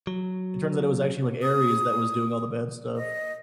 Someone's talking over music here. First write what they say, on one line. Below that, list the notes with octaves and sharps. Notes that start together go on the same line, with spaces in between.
it turns out it was actually, like, Ares that was doing all the bad stuff,
F#3
D#6
D#5